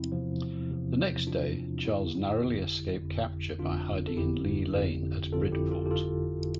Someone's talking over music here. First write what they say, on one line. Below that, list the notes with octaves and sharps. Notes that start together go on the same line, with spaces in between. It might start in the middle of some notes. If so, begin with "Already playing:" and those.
The next day, Charles narrowly escaped capture by hiding in Lee Lane at Bridport.
Already playing: E2 C3 F3 C4 E4
E2 C3 F3
E2 C3 F3
E2 C3 F3 D4 F4
G1 F2 D3 E4 G4
G1 F2 D3
G1 F2 D3
G1 F2 D3 D4 F4
A4
G1 F2 D3 E4 G4
G1 F2 D3
G1 F2 D3 F4 A4
E4 G4
F4 A4
G4
G1 F2 D3 F4 A4